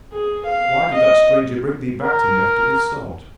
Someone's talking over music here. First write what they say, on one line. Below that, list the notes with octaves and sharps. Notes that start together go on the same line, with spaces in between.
Why did that stranger bring thee back to me after this sort?
G#4
F5
D#5
A#4